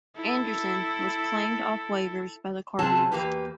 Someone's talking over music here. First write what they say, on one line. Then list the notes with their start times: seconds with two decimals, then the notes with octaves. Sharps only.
Anderson was claimed off waivers by the Cardinals.
0.16 E4 A4
2.79 C3 C4 C#4 F#4 G#4 A5
3.12 E2 A#3 G4 B4